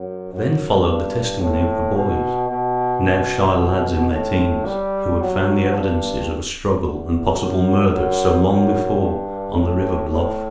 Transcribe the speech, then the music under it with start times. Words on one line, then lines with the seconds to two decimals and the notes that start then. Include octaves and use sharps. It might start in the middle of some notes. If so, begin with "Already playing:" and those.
Then followed the testimony of the boys--now shy lads in their teens, who had found the evidences of a struggle and possible murder so long before on the river bluff.
Already playing: F#2
0.33 F#2
0.86 G2
1.41 A2
1.95 B2
2.49 B2
4.12 A2
4.66 G3
5.21 F#3
5.75 G2
6.83 E2
7.37 F#2
7.92 F#2
8.46 F#2
8.99 G2
9.55 A2
10.09 A2